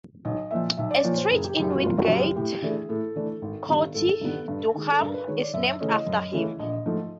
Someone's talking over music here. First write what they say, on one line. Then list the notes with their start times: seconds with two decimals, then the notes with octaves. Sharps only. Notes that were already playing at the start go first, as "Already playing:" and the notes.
A street in Wingate, County Durham is named after him.
0.25 B1 D#5
0.51 A#2 F3 E5
0.77 B1 E5
0.91 D5
1.04 A#2 F3 C#5
1.17 C5
1.31 F#1 G#4
1.44 G4
1.57 F#2 C#3 G4
1.71 F#4
1.83 F#1 F4
1.97 F#4
2.10 F#2 C#3 G4
2.23 G4
2.36 A2 G4
2.62 E3 A3 D4 G#4
2.89 A2 A4
3.16 E3 A3 D4
3.42 G#1
3.69 G2 D#3 G3 B3
3.94 G#1 A4
4.21 G2 D#3 G3 B3
4.48 G2
4.74 D#3 G#3
4.92 A4
5.01 G2 A#4
5.14 B4
5.27 D#3 G#3 C#5
5.41 D5
5.53 F#2 E5
5.67 E5
5.80 C#3 E3 A3 C#4 D#5
5.93 D#5
6.07 F#2
6.33 C#3 E3 A3 C#4
6.59 A#1 D#5
6.86 G#2 F3 A3